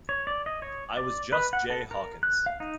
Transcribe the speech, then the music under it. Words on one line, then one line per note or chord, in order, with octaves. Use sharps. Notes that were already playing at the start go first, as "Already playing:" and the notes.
I was just Jay Hawkins.
C#5
D5
D#5
C#5
D5
B4
F#5
A4
A#4
F#6
F5
D#4